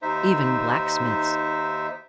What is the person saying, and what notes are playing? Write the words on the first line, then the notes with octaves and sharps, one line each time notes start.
"Even blacksmiths!"
D#2 D#4 C5 E5